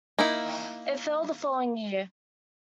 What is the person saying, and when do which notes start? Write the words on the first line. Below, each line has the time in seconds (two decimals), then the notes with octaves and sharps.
It fell the following year.
0.19 A#3 D#4 E4